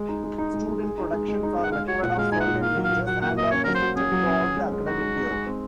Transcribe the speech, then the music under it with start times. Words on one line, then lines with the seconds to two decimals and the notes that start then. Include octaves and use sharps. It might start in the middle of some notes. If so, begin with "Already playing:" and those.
Student productions are required of certain majors, and are presented throughout the academic year.
Already playing: G#3
0.09 D#4
0.24 G#3
0.38 D#4
0.54 G#3
0.68 G#3
0.83 G#4
0.98 D#4
1.13 G#3
1.28 G#3
1.43 D#4
1.58 G#3
1.63 F#5
1.72 G#3 F5
1.88 F#4 C#5
2.03 A#2 F#5
2.18 G#3 F5
2.32 D#4 G#5
2.41 F#5
2.47 A#2
2.62 A#3 F5
2.77 F#3
2.84 F5
2.92 A#2
3.07 F#3 F#5
3.21 A#3 F#5
3.37 A#3 D#5
3.51 C#4 C#5
3.64 F#3 A#4
3.75 C5
3.82 F#3
3.96 C#4 G#4
4.12 F#3
4.26 C#4
4.41 F#4
4.57 G#3
4.72 G#3
4.86 D#4 F#4
5.01 G#3
5.16 D#4
5.31 G#3
5.46 C4